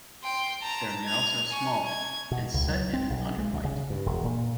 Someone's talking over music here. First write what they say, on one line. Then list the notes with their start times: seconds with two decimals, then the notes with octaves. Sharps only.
Their mouths are small and set in an underbite.
0.23 G5 C6
0.62 A5 A#5
1.05 G#6 F7
1.50 G#5 C#6
1.86 G#6
2.31 B2
2.54 C#2
2.69 F#3
2.93 C4
3.10 B1
3.39 G#3
3.53 D2
3.65 C#3
3.90 G2
4.06 E1
4.24 A#2